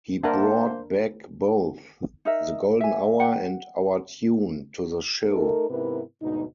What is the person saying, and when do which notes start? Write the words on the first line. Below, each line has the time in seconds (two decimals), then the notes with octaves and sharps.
He brought back both "The Golden Hour" and "Our Tune" to the show.
0.23 A#3 D4 A#4 C5 E5 F#5 A5
2.25 D#4 A#4 E5
2.81 E5 G#5
3.20 F#5 G5
5.31 A3 D#4 A4 A#4
5.70 G#2 C3 B3 E4 A#4 B4
6.22 D2 G#2 B2 D#4